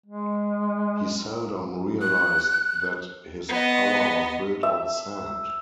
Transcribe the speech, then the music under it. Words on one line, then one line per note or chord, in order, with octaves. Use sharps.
He seldom realized that his power was built on sand.
G#3
F#6
B3 D#5
E5